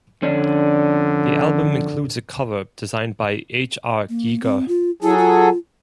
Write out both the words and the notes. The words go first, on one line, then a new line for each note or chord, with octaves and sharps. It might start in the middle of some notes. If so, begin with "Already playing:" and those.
The album includes a cover designed by H. R. Giger.
F2 D3 C#4 D4
A#3
C4
F4
F#3 E4 G#4 A4
F4